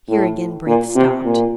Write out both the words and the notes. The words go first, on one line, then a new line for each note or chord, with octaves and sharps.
Here again Braith stopped.
A2
A#2
C3
A#2